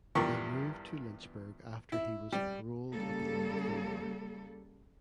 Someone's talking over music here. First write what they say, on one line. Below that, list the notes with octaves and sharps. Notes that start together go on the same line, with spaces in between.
They moved to Lynchburg after he was paroled at the end of the war.
E2 G2 F3 G3 A#4 C#6
E4
G3
C#3 G3 A#3 A4